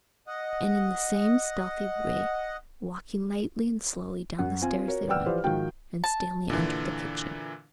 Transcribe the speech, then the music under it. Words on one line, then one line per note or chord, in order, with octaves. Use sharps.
And in the same stealthy way, walking lightly and slowly, down the stairs they went, and Stanley entered the kitchen.
D#5 F#5
F#2 F#5
C4 F4 G#5
F#4 A#4 C#5
B4 D5 F#5 G5 E6 F6
E3 F3 G4 B4 C5 D5
G#2 D#3 F3 F#4 G5
A5
A#2 D3 E3